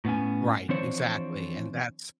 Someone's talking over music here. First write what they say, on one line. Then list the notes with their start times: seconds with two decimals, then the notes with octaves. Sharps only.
Right, exactly, and that's
0.05 A2 B3 C#4 G#5
0.69 E3 F3 C4 D4 C5 C#5